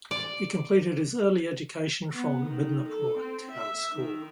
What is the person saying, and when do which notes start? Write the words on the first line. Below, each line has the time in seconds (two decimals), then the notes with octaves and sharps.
He completed his early education from Midnapur Town School.
0.11 D5
2.14 B3
2.46 D#3
2.89 A4
3.18 C4
3.52 E5
3.93 D#3